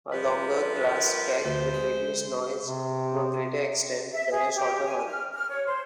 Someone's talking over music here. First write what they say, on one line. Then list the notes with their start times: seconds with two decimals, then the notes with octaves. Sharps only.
A longer glasspack will reduce noise to a greater extent than a shorter one.
0.13 F3 G3 B4
0.89 A#4
1.45 D2 C5
1.74 G#3
2.65 C3
4.13 E5
4.32 G#4
4.55 G4
4.85 G#5
5.08 F6
5.34 F6
5.50 C#5
5.66 C5